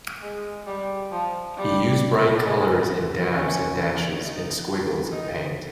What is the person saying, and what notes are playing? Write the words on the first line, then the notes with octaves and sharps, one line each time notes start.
He used bright colours in dabs and dashes and squiggles of paint.
G#3
G3
F3
G3
G#3
C#4
D#4
D#4